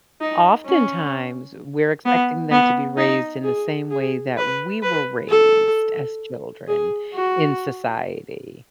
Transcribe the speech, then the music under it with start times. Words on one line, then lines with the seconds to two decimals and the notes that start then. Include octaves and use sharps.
oftentimes, we're expecting them to be raised in the same way that we were raised as children in society,
0.21 D#4
0.67 C#4
2.06 B3
2.51 B3
2.98 D#4
3.44 G#4
3.91 G#4
4.37 B4
4.83 B4
5.30 A4
6.68 G#4
7.14 F#4